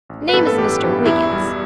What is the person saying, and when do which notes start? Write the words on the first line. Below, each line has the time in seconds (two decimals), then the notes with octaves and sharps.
"Name is Mr. Wiggins."
0.09 A1
0.29 B4
0.33 G2 E3 B3 A4
0.47 A4
0.58 A1 G4
0.82 G2 E3 B3
1.05 E2 E4
1.30 B2 G3